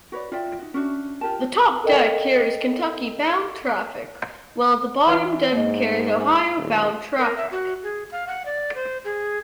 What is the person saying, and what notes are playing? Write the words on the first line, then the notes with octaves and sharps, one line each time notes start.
The top deck carries Kentucky-bound traffic while the bottom deck carries Ohio-bound traffic.
F#4 B4 C#5 D5
F4 D5 E5 G5
D#4 F#4
C#4 D4 F#4 E5
F4 G4 A#4 A5
A4 A#4 D#5 G5
E3 E4 B4 F#5
G#2 A#3 D#5
G#5
D#1
A#4
E5
F#4
G#4
F5
F#5
D5
C5
G#4